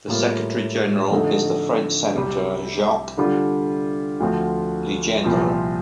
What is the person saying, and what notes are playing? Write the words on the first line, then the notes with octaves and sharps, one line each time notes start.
The Secretary General is the French senator Jacques Legendre.
A2 G3 A#3 F4
F2 D3 A3 D#4
C2 C3 G3
D3 G3 D4 F4
D2 D3 F3 C4 F4
C2 A#2 F3 C4 F4